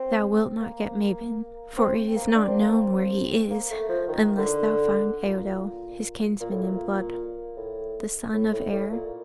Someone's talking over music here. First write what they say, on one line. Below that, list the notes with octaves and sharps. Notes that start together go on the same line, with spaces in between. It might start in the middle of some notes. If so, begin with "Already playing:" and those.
Thou wilt not get Mabon, for it is not known where he is, unless thou find Eidoel, his kinsman in blood, the son of Aer.
Already playing: C4
A#3
C4
A#3
D4
C4
A#3
C4
A#3
A3
F3
D#3
D3
A#2
A#2
A2
A#2
A2
A2
A2
A2
A#2